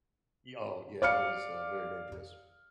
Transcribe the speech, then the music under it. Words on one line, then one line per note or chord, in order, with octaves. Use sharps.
Y oh, yeah, it was, uh, very dangerous.
D5 F5 F6 C#7